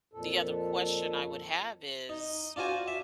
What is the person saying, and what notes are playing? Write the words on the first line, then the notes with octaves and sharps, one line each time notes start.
the other question I would have is
F2 A#2 A4
D#4
D4 F4 F#4 C5 G#5
E5